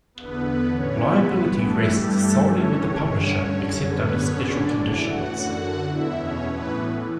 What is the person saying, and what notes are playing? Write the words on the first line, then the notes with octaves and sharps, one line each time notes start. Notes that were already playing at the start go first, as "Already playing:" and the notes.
Liability rests solely with the publisher, except under special conditions.
E2 D3 B3 B4
B3 B4
A2 E3 C#4 C#5
B3 B4
G2 E3 B3 B4
A3 A4
G2 E3 G3 G4
A3 A4
G2 E3 C#4 C#5
G2 D3 C#4 C#5
F#2 D3
B3 B4
F#2 D3 C#4 C#5
D4 D5
A2 E3
F#4 F#5
F#2 D3
E2 B2 E4 E5
C#4 C#5
A2 E3 B3 B4